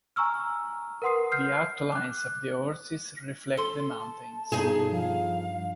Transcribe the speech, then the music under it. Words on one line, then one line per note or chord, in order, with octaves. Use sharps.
The outlines of the horses reflect the mountains.
G#5 A#5 C#6 E6 F6
A#4 B4 F#5 C6 D#6 C7
F6 G6 C7
D6 F#6
A4 C6
A5
G2 B2 D#4 G#4
F3 F5